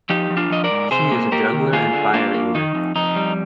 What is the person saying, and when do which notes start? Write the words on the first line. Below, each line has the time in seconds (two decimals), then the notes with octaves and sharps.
She is a juggler and fire eater.
0.10 F3 D#4 G4
0.30 F3
0.37 D4 F4
0.50 F3 D#5
0.64 A#4 D5
0.71 G#2
0.91 C3 G#4 C5
1.11 A#3
1.32 A#3 G4 A#4
1.53 D#3
1.73 A#3 F4 G#4
1.93 D3
2.14 A#3 D4 F4
2.34 A#3
2.55 D#3 D#4
2.74 F2
2.96 F2 D#4
3.16 G3